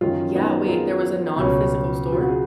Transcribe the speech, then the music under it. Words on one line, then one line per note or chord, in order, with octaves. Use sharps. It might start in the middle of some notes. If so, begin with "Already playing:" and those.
Yeah, wait, there was a nonphysical store?
F#2 D#3 G#3 C#4 F4
B3 D#4
A#4
F4 G#4
C#2 B2 F#3 C#4
F4
F#4
G#4